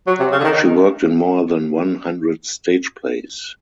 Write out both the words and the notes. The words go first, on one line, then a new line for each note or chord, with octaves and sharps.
She worked in more than one hundred stage plays.
F#3
C3
C#3
D3
D#3